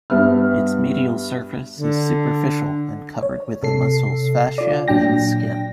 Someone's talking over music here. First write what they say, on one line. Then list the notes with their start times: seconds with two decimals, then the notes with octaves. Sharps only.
Its medial surface is superficial and covered with the muscle's fascia and the skin.
0.10 G2 B3 E5 F6
1.79 D3
3.23 C#5
3.63 C3 A4 C7
4.58 F4 D5
4.88 A#2 F#3 D4 G5 A#6